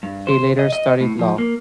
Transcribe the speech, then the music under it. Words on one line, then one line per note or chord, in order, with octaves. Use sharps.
He later studied Law.
G2
C5
D#5
D#5
A2
F3
A#3